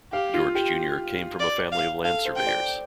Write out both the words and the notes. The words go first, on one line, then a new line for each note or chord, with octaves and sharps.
George Junior came from a family of land surveyors.
G4 F5
F4
G4
D5
F5
A4 F5
C5
G5
D5